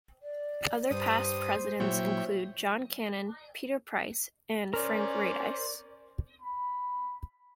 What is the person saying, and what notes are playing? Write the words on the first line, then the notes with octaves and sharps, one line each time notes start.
Other past presidents include John Cannon, Peter Price and Frank Radice.
D5
G2 C5 D#6
A#2 F#3 E4 C#5 G5
C#4 A#4 C5 D5
B5